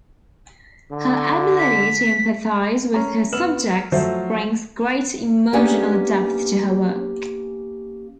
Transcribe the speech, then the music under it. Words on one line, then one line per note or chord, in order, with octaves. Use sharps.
Her ability to empathise with her subjects brings great emotional depth to her work.
D3
B6
C#4 A#5
B3 E6 F6 E7 F#7
F3 F#3 A3 C5 E5
A#3 B3 C#4 D4 G4 G#4